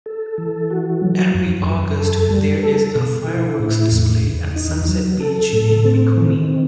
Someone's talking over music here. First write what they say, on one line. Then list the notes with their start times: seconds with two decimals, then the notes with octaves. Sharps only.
Every August there is a fireworks display at Sunset Beach in Mikuni.
0.06 A4
0.38 E3
0.70 F#4
1.02 F#3
1.34 F#2
1.66 F#2
1.99 A4
2.31 G3
2.63 A4
2.95 B2
3.27 E4
3.59 A2
3.92 E2
4.24 E2
4.56 D#4
4.88 F#3
5.20 A4
5.53 A2
5.85 C4
6.17 D#3
6.49 C4